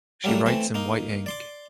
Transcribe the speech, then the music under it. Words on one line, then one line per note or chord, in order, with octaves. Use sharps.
She writes in white ink.
F#3 G3 A3 A#3 F#4
E3 A3 C4
A#3 D#4
D5 C6 D6